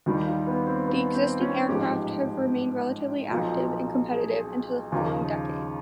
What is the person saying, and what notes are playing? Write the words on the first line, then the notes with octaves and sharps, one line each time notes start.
The existing aircraft have remained relatively active and competitive into the following decade.
D#2 D#3 G3 E4
F4
B3
C4
B3
C4
C#4
A1 G#2 F3 G4
B1 A#2 F3
G#4
D#2 C#3 F3